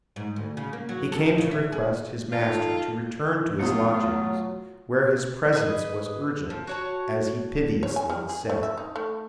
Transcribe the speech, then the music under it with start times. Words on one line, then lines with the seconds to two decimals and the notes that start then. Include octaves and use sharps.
He came to request his master to return to his lodgings, where his presence was urgent, as he piteously said.
0.16 G#2
0.36 D2
0.57 C#3
0.73 A#3
0.89 F#3
1.12 A4
1.26 D#4
1.38 C#3
1.51 E5
1.72 G#4
2.32 D#3 F4 A4
3.59 B1 E2 A#2 F#3 A3 F4 D#6
5.53 G#4 B4 D#5
6.50 F3
6.67 F#4 C#5 A5
7.83 C#5
7.96 G#5
8.10 G3
8.29 G#4
8.49 A3
8.63 E5
8.77 D#4
8.96 A3